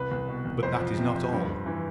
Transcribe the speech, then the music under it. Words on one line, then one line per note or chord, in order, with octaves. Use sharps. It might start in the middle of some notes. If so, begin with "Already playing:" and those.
But that is not all.
Already playing: C2 B4
C2
B2
C2
F2 C5
F3
C3
F2
G2
G2
E3